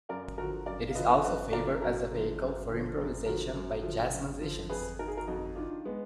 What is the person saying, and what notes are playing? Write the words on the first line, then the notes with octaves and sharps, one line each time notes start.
It is also favored as a vehicle for improvisation by jazz musicians.
F#2 A#4 D5
D3 F3 F#4 A#4
F#2 A#4 D5
F5
D3 F3 B4 D#5
F#2 B4 D#5
D3 F3 A#4 D5
F#2 F#4 A#4
D3 F3
F#2
D3 F3
F#2
D3 F3 F#4 A#4
F#2
D3 F3
F#2
D3 F3
F2 G#4 B4
D#3 A#4
G#4
F#4 A#4
F2 D#4 F#4
D#3 D4 F4
G#3 B3